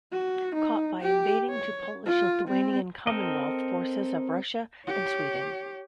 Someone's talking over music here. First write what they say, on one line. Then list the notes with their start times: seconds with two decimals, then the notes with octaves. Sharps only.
Caught by invading to Polish-Lithuanian Commonwealth forces of Russia and Sweden.
0.12 F#4
0.55 D#4
1.02 G4
1.51 C#5
2.06 F4
2.48 C4
3.07 C4 A4 A#4 D#5
4.86 G4 C#5